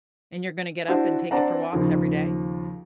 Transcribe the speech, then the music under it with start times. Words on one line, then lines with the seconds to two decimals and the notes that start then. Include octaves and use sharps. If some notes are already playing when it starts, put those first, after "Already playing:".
And you're gonna get up and take it for walks every day?
0.88 D4 E4 F#4 C5
1.31 C4 D4 D5 F#5 A5 A#5
1.73 D#2 C#3 F3